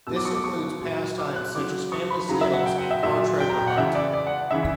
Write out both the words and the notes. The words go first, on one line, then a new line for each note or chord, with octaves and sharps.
This includes pastimes such as family skittles and car treasure hunt.
B2 F#3 E6
D6
C#6
D6
C#6
A#2 F#3
D6
F#6
C#3 F#3 D6
C#6
B5
C#3 F#3 A#5
E5
F#5
G5
F#5
E5
A#2 F#3 E5
G5
A#5
G5
F#5
C#3 E3 E5
D5
D5
F#5
C#3 E3 E5